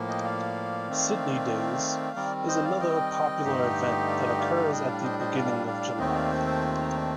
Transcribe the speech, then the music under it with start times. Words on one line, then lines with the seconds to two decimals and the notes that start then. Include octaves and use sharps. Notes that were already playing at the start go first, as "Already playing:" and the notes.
"Sidney days" is another popular event that occurs at the beginning of July.
Already playing: A2 F3 A#3
0.08 D#5 G5
0.24 D5 F5
0.89 D#3 A3 C4
2.16 D#3 G3 C4 A#4 D5
2.48 C5 D#5
2.64 D5 F5
2.80 D#5 G5
3.44 G2 D3 A3 D#4 G4
4.07 D5 F5
4.19 F5
4.23 D#5 G5
4.39 D5 F5
4.55 D5 F5
4.71 A2 G3 D4 D#5 G5
4.87 D5 F5
5.03 C5 D#5
5.19 C5 D#5
5.35 D5 F5
5.67 D5 F5
5.99 D#2 D#3 A3 C4 D#5 G5
6.15 D5 F5
6.31 A4 C5
6.46 A4 C5
6.63 F4
6.79 D#4
6.95 D4